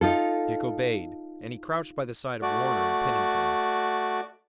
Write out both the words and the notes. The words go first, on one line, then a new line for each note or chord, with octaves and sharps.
Dick obeyed, and he crouched by the side of Warner and Pennington.
D#4 F4 A4
A3 F#4 D5